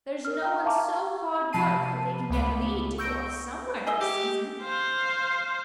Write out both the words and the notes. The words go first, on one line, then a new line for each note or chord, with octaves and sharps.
There's no one so hard worked but they can get leave to go off somewhere at this season.
A#4 F6
G5 A#5
E5 F5 A5 A#5 C#6 D6
C3 F3 A5 B5 C7 D#7
C#2 A3 B3 B5 D6
C#6 E6 G6 A#6 D7
G#4 D#5 E5
G4
C5 F5